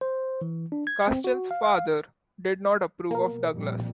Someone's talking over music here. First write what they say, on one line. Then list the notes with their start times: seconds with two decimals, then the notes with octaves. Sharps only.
Custance's father did not approve of Douglas.
0.01 C5
0.42 E3
0.72 D4
0.87 G#6
1.08 C4
1.24 F#4
1.51 F5
1.63 F5
3.11 B2 A#3 A#4
3.53 F2 A#2 G3